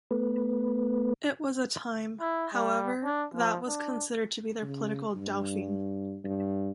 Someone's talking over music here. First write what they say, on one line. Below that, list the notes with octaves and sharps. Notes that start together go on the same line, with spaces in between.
It was a time however, that was considered to be their political dauphine.
A3 B3 B4
E4
G3
D4
F3
D4
C#3
G2
G2